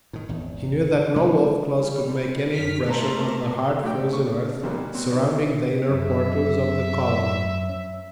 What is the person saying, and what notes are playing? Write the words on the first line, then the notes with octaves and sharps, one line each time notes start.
He knew that no wolf-claws could make any impression on the hard-frozen earth surrounding the inner portals of the colony.
A2 D#3
G#1 E2
C3 G#3 C4 C#4
G3
F#2 F6 B6
A3 A#3 A#4 C5 A5 A#5
A2 F#4 D5 G5
C#6
D4
D2 B2 D#3 F#3 G3 A#3
B2 C4
E2 D#4 D5
F#2 F#3 E5